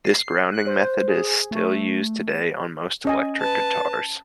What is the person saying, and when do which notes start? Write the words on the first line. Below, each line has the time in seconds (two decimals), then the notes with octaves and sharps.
This grounding method is still used today on most electric guitars.
0.05 C7
0.52 F#6
0.67 C5
1.08 G#4
1.51 A3
2.28 E7
3.05 C#4 D#5 G#5
3.40 B4 A5